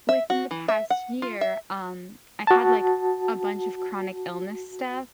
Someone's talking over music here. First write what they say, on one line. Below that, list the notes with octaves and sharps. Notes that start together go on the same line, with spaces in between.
within the past year, um, I've had, like, a bunch of chronic illness stuff
E5
F#4
E3
E5
F#5
F4
E5
F#4 A5